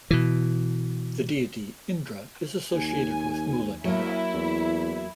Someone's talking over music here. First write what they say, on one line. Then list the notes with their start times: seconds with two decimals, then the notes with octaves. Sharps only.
The deity Indra is associated with Muladhara.
0.11 B2 E3
2.74 D#2 G#5
3.84 F#3 A#3 E4
4.34 E2